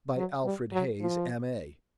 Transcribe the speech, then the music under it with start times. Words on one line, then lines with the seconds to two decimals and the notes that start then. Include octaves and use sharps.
By Alfred Hayes, M.A.
0.17 F#3
0.44 G3
0.72 F#3
1.01 F3